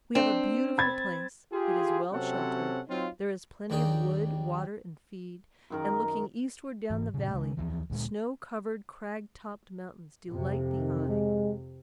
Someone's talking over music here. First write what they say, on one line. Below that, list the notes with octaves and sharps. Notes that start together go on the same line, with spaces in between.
We have a beautiful place: it is well sheltered; there is plenty of wood, water, and feed; and, looking eastward down the valley, snow-covered, crag-topped mountains delight the eye.
C4 D4
B5 G#6 A6
F4 G4 G#4
C3 F#3 C4 C#4 A4 F#5
F#3 C4 D#4 F4
D#2 D#3 D4 D#4 G#4 C#5
F#2 D#3 A#4
G#2 E3
A#2 C#3
C#3 G#3
D#2 E3 F3
D2 A#2 G#3
F2 C3
D#3
G#3